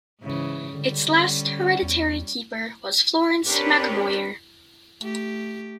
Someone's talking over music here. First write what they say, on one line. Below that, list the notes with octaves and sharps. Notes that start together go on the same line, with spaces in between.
Its last hereditary keeper was Florence MacMoyer.
G#2 C#3 E3
D3 G3 C#4
D3
E2
C4 D4 G4 A#4 B4 C#5
A3 G4